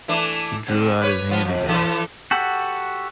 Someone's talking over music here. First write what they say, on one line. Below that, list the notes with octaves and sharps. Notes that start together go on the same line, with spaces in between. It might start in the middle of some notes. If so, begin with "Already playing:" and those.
He drew out his hand again.
E3 A3 D4
D3 C4
B4 C#5
F3 B3 F4
F2
E3 D4 A4
F#4 G4 A4 F#5